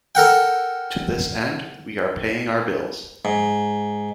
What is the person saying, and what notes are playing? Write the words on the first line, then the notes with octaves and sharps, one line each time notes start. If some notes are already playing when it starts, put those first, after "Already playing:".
To this end, we are paying our bills.
A4 A#4 F#5 G5
G#2